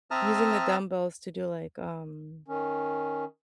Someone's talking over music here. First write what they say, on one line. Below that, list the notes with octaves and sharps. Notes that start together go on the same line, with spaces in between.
using the dumbbells to do, like, um,
C4 E5 A5 A#5 D#6 F6
D#3 C#4